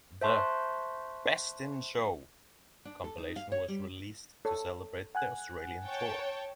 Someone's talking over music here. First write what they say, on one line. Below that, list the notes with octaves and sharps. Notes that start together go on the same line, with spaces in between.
The "Best in Show" compilation was released to celebrate the Australian tour.
C5 E5 A5 C6 C#6 F#6
D4
A4
D#4
F5
C#5
G3
A4 C#5
F#5 G#5 F#6
C#5 G5 A5